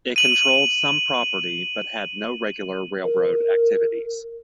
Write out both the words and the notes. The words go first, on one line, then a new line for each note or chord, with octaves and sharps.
It controlled some property, but had no regular railroad activities.
D#7 F#7
A#4